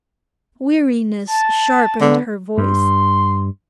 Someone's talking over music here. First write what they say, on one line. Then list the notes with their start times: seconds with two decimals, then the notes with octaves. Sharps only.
Weariness sharpened her voice.
1.27 A5
2.01 D3 B3
2.58 G2 C6